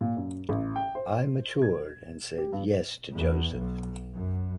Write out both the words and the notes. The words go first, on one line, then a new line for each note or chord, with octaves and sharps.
I matured and said yes to Joseph.
A#2
F#2
A1
G5
C5
G#6
G4
G2
E2
B1
F#2